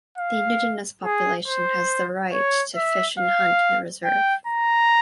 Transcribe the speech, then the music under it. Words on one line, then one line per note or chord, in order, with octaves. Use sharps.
The indigenous population has the right to fish and hunt in the reserve.
F5
G#4
C5
C#5
E5
F5
G5
A#5